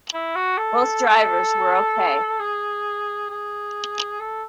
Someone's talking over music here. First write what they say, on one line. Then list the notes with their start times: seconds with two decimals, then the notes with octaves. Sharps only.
Both drivers were okay.
0.14 E4
0.36 F#4
0.58 A4
2.40 G#4
3.30 G#4
4.20 A4